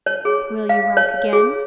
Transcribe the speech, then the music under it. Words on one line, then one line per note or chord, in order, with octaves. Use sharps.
"Will you rock again?"
C#5
G#4
F5
C#5
G#4